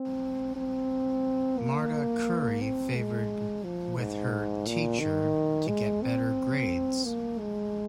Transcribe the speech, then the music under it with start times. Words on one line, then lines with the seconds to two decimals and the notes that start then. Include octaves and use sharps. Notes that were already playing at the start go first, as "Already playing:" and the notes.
Marta curry favored with her teacher to get better grades.
Already playing: C4
0.56 C4
1.59 A#3
2.61 C4
2.96 G#3
3.64 F3
3.98 G#2
4.66 A#2
5.00 D#3
5.68 G#3
6.02 C4
7.05 A#3
7.39 G#3